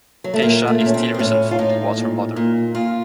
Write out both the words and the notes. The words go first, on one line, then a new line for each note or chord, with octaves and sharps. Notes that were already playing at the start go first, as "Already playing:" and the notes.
Keisha is still resentful towards her mother.
F#3
A3
A#2 A#3
A3
A#2
C#4
C4
C4
A2 C#4
F4
A2 D#4
A#2
A#2
A#2 F4